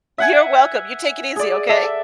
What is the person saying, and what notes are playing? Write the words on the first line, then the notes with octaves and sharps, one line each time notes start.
You're welcome, you take it easy, okay?
E5 F#5 G#5
G#4 D5
A4 E5